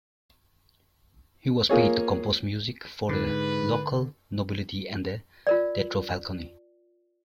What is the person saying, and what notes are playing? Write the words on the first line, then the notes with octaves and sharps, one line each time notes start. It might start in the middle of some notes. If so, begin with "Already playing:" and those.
He was paid to compose music for the local nobility and the Teatro Falconi.
A#3 F4 G#4 C#5
G#2 D3 B4
F4 A#4 D5